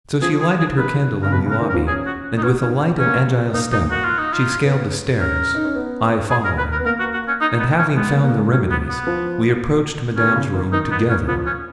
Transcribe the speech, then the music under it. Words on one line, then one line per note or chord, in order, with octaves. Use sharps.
So she lighted her candle in the lobby, and with a light and agile step she scaled the stairs, I following; and having found the remedies, we approached Madame's room together.
F3 G#4
G#4
G#4
D#3 B4
C#3 A#4
B2 B4
C#3
A#4
D#3
A#4
F3
C#4 G#4
F#4
D#4
B3 C#4
C#4 D#4
C#4
B3 C#4
A#3
B3
A#3 D#4
D#4
F#4
F4
D#4
F4
B3
C#4 A#4
D#4
C#4
B3
G#4
A#4
B4
A#4
B3
A#3 A#4
F#4
F#4
C#4
D#4
B3
C#4
G#3 B3
A#3
A#3
G#3
F#3 C#4
B3
B3
F3
D#3 C#4
B2
C#3
D#3
D#3 D#4
B3
C#4
F3 B3
C#4